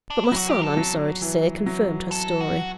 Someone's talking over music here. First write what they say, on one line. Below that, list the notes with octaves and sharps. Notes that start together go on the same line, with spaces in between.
But my son, I am sorry to say, confirmed her story.
D4
E4
F#3 F#4
G4
A4
F#3
E3
F#3
A4
F#4